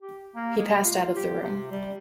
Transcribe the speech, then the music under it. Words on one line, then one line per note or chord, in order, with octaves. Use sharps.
He passed out of the room.
G4
A#3
G#3
C3
F4
G4
C3
G3